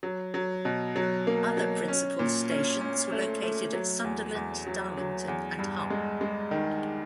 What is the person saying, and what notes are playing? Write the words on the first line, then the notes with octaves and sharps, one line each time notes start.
Other principal stations were located at Sunderland, Darlington and Hull.
F#3
F#3
B2
F#3
A#3
F#3
C#4
A#2
C#4
C#4
A3
A3
F#3
E2
E2
F#3
F#3
E2
G2
G#3
G#3
D#3